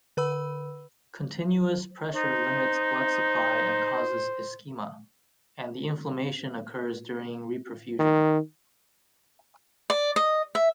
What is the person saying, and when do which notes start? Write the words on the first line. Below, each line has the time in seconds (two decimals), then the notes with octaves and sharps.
Continuous pressure limits blood supply and causes ischemia, and the inflammation occurs during reperfusion.
0.17 D3 B4 B5 E6
2.14 D#4 C5
7.99 D#3
9.90 D5
10.16 D#5
10.55 E5